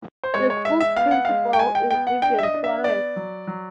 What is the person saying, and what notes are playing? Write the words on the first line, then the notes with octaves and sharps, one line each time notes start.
The school's principal is Vivian Suarez.
C5
G#3 C#5
C#5
G#3 E5
E5
B3 F5
F#5
G#3 F5
G5
G#3 G#5
G5
B3 G5
F#5
D4 G5
E5
D#5
D4
E5
B3 D5
F#3
F#3